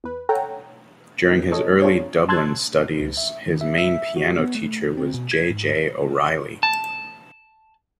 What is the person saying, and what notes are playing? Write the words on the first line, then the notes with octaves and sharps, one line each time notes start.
During his early Dublin studies, his main piano teacher was J. J. O'Reilly.
E2 B4
A4 C#5 F#5 G5 A#5
D#3 E3
C4 D#4 A4 C#5 D#5
C4 D4 F4 G#4 C#5
A5 C6 E6 F#6 G#6 A6
C#2
E5
D#3
E5
E5
F#4
B3
A3
C4
B2
G#6
G#2
A5